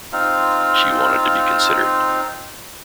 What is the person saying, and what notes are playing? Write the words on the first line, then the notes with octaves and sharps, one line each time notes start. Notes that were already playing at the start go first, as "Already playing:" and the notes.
She wanted to be considered.
C4 D#4 F4 F5